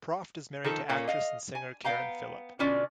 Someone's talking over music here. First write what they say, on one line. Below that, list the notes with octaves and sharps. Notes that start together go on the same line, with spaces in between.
Proft is married to actress and singer Karen Philipp.
D#3 F3 A4
A#2 A#3 C#4
D#5 F5
G#5
B3 F5 G5 A#5
B2 D3 C#4 F4 D5